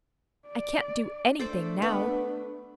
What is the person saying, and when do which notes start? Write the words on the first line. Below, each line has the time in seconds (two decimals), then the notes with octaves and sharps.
"I can't do--anything, now."
0.48 D5
1.39 A3 D4 A4 C5 D5
1.82 B3 B4